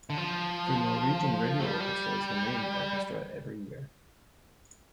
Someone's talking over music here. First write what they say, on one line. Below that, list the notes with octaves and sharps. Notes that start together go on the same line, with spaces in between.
The Norwegian Radio Orchestra is the main orchestra every year.
D3
F3
A3
G3
F3
G3